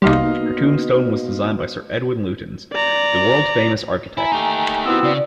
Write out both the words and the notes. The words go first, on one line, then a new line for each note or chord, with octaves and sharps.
Her tombstone was designed by Sir Edwin Lutyens, the world-famous architect.
C2 B2 G3 A#3 D#4 D#5 F5 C6
D5 A#5
E4 G#5 A#5 B5
A3 D#4 G4
B3 C4 E4 F#4 E6
C#3 D5